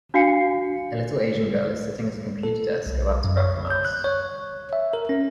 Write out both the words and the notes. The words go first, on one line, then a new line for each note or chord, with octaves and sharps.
A little asian girl is sitting at a computer desk about to grab the mouse.
D4 F#4 F5 G#5 C7 C#7
A4
B1
F#2
C#5
G6
F#6
C#5
E5
A#4
C#4